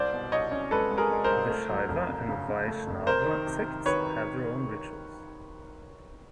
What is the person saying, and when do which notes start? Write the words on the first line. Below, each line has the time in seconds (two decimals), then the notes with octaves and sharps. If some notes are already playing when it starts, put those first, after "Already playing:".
The Shaiva and Vaishnava sects have their own rituals.
Already playing: C2 C5 D5
0.12 B2
0.32 C2 C#5 D#5
0.52 C#4
0.71 G#3 A4 B4
0.91 G#3
0.98 G#4 A#4
1.11 G#3
1.24 A#4 C5
1.30 C2
1.50 A3
1.69 F#3
1.89 F2
2.08 C#3
2.29 C#3
2.48 C#3
2.68 A3
2.87 F2
3.07 C3 A#4 C5
3.26 D#3
3.46 C3
3.66 C3
3.86 D#3 B4 C#5